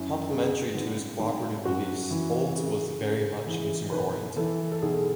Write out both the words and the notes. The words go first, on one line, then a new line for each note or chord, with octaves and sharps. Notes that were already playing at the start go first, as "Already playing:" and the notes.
Complementary to his cooperative beliefs, Olds was "very much consumer oriented".
Already playing: F#2 E4
C#3
G#1
G#1
F#2 F#4
E3
C#3
C#3
E3 G#4
B1 B4
E3 A4
A4
B1 G#4